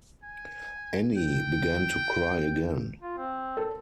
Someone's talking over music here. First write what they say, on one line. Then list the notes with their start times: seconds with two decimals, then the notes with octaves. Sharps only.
Annie began to cry again.
0.24 G#5
1.18 G5
3.02 F4
3.18 C4
3.57 A4